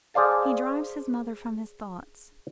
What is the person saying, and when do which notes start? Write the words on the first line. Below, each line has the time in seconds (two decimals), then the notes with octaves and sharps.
He drives his mother from his thoughts.
0.14 G#4 C5 D5 F5 A5